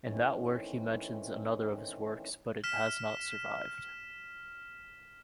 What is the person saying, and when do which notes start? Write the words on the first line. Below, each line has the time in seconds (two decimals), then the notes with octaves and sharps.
In that work he mentions another of his works, but it has not survived.
0.05 A2 D#3 E3 C4 C#4
2.64 F6 B6 E7